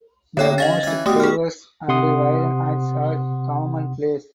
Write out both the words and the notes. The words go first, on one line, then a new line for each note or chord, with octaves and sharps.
The most perverse and violent acts are commonplace.
A2 D3 A#3 C#5 G5
C#4 D#5 F5 A6
E3 C#4
B2 G3 A3 D#6
G#4 F6
C3 F#5 C6 D#6